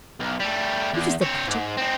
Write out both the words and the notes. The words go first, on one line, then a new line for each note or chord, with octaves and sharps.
What is the matter?
B1
G3 A3
E2
C4 C#5
G#2
C4 D#4